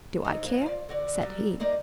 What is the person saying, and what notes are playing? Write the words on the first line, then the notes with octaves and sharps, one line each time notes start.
"Do I care?" said he.
C3 D#4
F#3 A#3
F4 D5
D3 F#4 D5
F#3 G3
A#3 D#4 D5